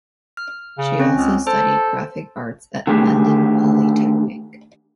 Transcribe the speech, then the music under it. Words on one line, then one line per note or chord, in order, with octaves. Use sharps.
She also studied graphic arts at London Polytechnic.
F6
C#3
C4 C#4
C#2
A4 C5
D3 D#3 A3 G4 G#4